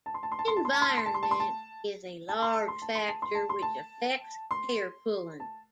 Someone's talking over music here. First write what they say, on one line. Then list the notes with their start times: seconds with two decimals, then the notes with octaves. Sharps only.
Environment is a large factor which affects hair pulling.
0.06 A5
0.14 C6
0.23 A5
0.32 C6
0.39 A5
0.48 C6
0.56 A5
0.65 C6
0.73 A5
0.82 C6
0.89 A5
0.97 C6
1.06 A5
1.14 C6
1.23 A5
1.31 C6
1.40 A5
2.29 A5
2.42 C6
2.55 A5
2.68 C6
2.82 A5
2.95 C6
3.08 A5
3.22 C6
3.35 A5
3.49 C6
3.62 A5
4.51 C6
5.40 A5